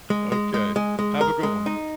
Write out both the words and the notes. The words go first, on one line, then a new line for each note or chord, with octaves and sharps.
Okay. Have a good one.
G#3
G#3
G#3
G#3
G#3
A#4
G#3
D#4